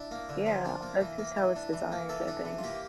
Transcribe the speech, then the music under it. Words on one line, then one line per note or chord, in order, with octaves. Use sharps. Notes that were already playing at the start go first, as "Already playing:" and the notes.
Yeah, that's just how it's designed, I think.
Already playing: D4 E4
A#3
D3
F3
D4
A#3
E3
A#3
E3
D4
E3
A#3
E3 A4
D4
E3
F4
A#3 G4